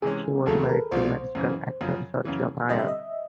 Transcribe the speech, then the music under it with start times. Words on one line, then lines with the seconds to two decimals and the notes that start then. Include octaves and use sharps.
She was married to Mexican actor Sergio Mayer.
0.02 C3 E3 G#3 C#4 G#4
0.46 D#2 C#3 F#3 A3 A4
0.65 B4
0.69 A#4
0.91 C2 A#2 F3 A3 C5
1.35 F#2 C#3 E3
1.81 F#2 C#3 F3
2.25 F#2 C#3 E3
2.69 D3 G3 C4 D#5
2.79 E5
2.88 D#5